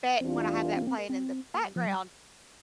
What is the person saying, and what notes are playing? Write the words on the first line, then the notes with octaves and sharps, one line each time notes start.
but when I have that playing in the background,
E2 E3 G3 C4 D4 F4
A3
A#3
C4
A#3
C4
A#3
C4
A#3
G3
F3
G3